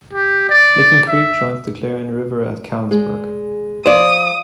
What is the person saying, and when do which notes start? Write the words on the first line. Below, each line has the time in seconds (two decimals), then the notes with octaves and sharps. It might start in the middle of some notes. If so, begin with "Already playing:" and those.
Licking Creek joins the Clarion River at Callensburg.
0.13 G4
0.49 D5
1.08 E5
2.91 G#3 G#4 D5
3.86 F3 C5 D5 D#6